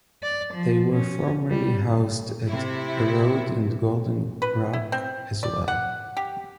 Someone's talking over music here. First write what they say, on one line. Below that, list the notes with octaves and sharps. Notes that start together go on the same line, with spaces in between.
They were formerly housed at Erode and Golden Rock as well.
D5
F3
C#4
G3
C3 E4
B4
E4
C4
D5
F#5
G4